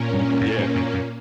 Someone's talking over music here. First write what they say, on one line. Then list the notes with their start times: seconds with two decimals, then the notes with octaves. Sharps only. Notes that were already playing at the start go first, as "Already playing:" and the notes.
Mm yeah.
Already playing: A#2 A#3 C#4
0.13 G2
0.41 F#2
0.58 G2
0.75 F#2
0.94 F#2